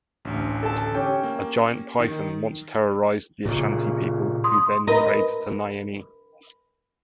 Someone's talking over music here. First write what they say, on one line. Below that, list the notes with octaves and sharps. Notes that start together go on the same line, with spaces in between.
A giant python once terrorised the Ashanti people, who then prayed to Nyame.
A1 D2
A4 A5
C#4 G4 G5
A#3
D#3
A#2 C#3
C6 D#6
A#4 B4 D#5